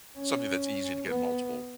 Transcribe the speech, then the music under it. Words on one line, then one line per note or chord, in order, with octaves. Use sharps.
Something that's easy to get multiple,
C#4
B3